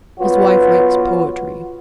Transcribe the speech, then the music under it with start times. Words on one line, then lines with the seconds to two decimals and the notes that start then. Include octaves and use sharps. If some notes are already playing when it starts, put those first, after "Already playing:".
His wife writes poetry.
0.20 F#3 B3 F4 F#4